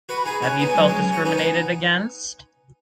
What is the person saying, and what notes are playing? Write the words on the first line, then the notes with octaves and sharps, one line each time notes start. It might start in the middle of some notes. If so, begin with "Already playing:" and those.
Have you felt discriminated against?
F#4 B4
B5
D#4 G#4 G#5
C#4 F#4
B3 D#4
G#3
F#3 B3
G#3 C#4
C#4 F#4
B3 D#4 G#5
B3 D#4